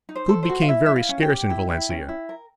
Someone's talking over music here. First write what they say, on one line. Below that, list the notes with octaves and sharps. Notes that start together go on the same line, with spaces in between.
Food became very scarce in Valencia.
D#4
C5
A4
C5
F#4
F5
E4 E5
E4 E5
F5
C#4
G5
G4
E4 G5
E4
C#4
E4
A#4